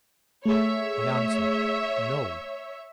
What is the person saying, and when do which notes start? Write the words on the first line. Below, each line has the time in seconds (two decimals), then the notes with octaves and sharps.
I answered, No.
0.45 A3 G#4 C#5 E5